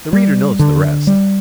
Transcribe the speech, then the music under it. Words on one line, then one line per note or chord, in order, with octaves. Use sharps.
The reader knows the rest.
G3
D3
G3